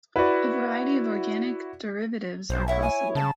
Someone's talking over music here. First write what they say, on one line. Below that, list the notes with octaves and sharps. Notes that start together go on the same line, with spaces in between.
A variety of organic derivatives are possible.
E4 F#4 B4 D5
B1 C5
E4 C#5 E5
G#5
C#3 A5